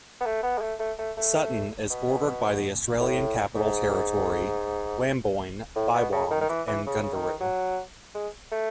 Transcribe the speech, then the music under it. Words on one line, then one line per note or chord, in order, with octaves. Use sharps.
Sutton is bordered by the Australian Capital Territory, Wamboin, Bywong and Gundaroo.
B3
A3
B3
G#3
A3
A3
A3
A3
B2
A2
G#2
A2
B2
C#3
D#3
D#3
E3
E3
C#3
C#3
D#3
F#3
G#3
A3